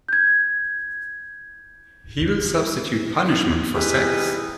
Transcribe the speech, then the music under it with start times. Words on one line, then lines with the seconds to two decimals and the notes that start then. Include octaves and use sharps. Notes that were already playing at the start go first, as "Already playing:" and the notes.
He will substitute punishment for sex.
0.09 G6 G#6
3.74 E2 G3 D#4 E4 G#4 B4